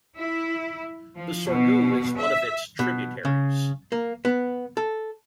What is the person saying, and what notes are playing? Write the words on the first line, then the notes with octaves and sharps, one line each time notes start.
The Sorgue is one of its tributaries.
E4
F3
B2
E5
B2
C#3
A#3
B3
A4